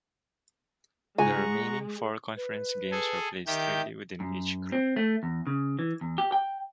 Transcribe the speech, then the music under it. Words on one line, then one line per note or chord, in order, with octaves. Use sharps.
The remaining four conference games were played strictly within each group.
C#2 G#3 F#5 G#5 A#5 C#6
B4
G#4 A4 G#5
D#3 G4 E5 G6
F#2
C4
A3
E2
C#3
E3
E2
G4
G5